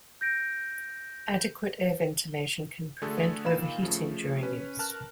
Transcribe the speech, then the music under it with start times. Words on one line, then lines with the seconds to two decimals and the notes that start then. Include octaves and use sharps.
Adequate air ventilation can prevent overheating during use.
0.21 G6 A#6 D7
3.02 D3 A3 F#4 G#4 A4
3.45 A#2 D#3 F5 B5 E7
3.82 C#3 F3 A3
4.43 C#4 B4
4.79 A#4 A5 F6 F#6